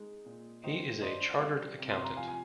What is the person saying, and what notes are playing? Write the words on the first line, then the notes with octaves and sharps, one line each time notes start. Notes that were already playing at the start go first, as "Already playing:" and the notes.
He is a chartered accountant.
Already playing: G#3 D#4
A#2
D#3 C5 D#5
D4 C5 D#5
G3 D5 F5
C3
C6
A#5
F3 F5 G#5
G#5